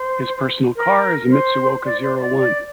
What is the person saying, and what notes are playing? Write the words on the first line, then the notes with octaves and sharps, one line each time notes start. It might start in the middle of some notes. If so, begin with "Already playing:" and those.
His personal car is a Mitsuoka Zero One.
Already playing: C5
A#4
C5
D5
C5
D5
D5